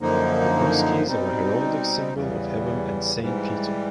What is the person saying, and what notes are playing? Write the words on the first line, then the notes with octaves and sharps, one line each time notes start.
The Cross Keys are a heraldic symbol of Heaven and Saint Peter.
F#2 D3 F3 A#3 D#4
B2 G3 C4 D#4
E2 C#3 E3 G3
G#2 E3 G3